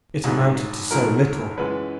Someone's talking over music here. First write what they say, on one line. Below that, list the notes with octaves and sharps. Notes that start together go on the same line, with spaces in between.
It amounted to so little!
A#1 G#2 F#3
A#1 G#2 F#3 A#4
F#2 E3 G#3 B4